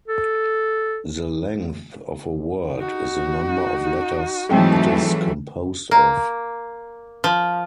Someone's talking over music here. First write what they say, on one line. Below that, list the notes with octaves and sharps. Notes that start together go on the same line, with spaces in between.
The length of a word is the number of letters it is composed of.
A4
D#4 F#4
G#2 E3 F#3 A3 C4 D#4 G5 A5
A#3
F3